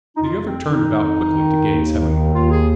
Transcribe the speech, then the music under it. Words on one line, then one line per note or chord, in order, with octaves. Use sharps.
The other turned about quickly to gaze heavenward.
D#4
F2 F4
C4
D#3
D#4
F2
D#3
D#2
D#3
D#2 F4
G#4